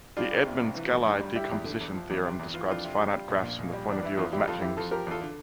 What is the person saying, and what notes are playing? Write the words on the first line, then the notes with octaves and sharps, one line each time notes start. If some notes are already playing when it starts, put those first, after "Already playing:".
The Edmonds-Gallai decomposition theorem describes finite graphs from the point of view of matchings.
G3 D4 F4
C2
C3
C2
E3
A1
G2
G3
G3 E4 G4
E2
D3
E2
F3
E2
C3
E2
E3 F4
E4
F2 D4 F4
C3
G3
G3
A#1
A#2
A#1
G3
E2 D4
E3 E4
E2 F4
G3 E4 G4
F2 F4 A4
E3 E4 G4
F2 F4 A4
F3 G4 A#4
E2 F4 A4
D3